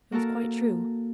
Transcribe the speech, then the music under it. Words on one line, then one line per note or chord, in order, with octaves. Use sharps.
It was quite true.
A#3 F#4 A4 A#4